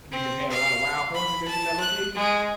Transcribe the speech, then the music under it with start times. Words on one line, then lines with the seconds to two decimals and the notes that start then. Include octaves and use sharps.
What they just had a lot of wild horses, just in that location?
0.11 C4
0.50 F5
1.14 B5
1.47 A5
1.80 F#6
2.15 G#3